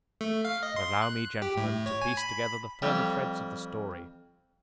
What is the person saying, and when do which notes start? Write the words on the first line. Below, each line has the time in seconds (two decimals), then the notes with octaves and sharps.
But allow me, gentlemen, to piece together the further threads of the story.
0.21 A3
0.45 F5
0.63 D#5
0.76 C6
1.02 F#6
1.42 G4
1.57 A2
1.86 C#5
2.02 G#5
2.17 B5
2.82 F2 G3